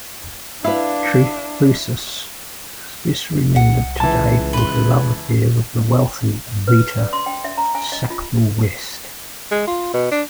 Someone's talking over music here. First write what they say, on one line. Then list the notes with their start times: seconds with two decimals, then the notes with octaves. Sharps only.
Trefusis is best remembered today for her love affair with the wealthy Vita Sackville-West.
0.64 D4 E4 B4 F5
3.56 C2 F#5
4.00 C#2 E3 A5
4.53 B4 C6
6.67 B4
6.98 D5
7.13 C6
7.26 G5
7.44 E5
7.58 A#5
7.75 G#5
7.92 D#5
8.10 F4
9.51 G#3
9.68 F4
9.94 B2
10.12 D4